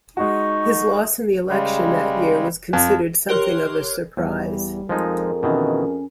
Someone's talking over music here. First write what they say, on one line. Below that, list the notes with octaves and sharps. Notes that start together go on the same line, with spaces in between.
His loss in the election that year was considered something of a surprise.
G#3 D#4 F#4 C#6
C#3 G3 G#3
F2
G4 A#4 C#5 C6 F6 F#6
E2 G3
F2 F3 G#3 D#4 G#4 A#4
B2 D#3 E3 C#4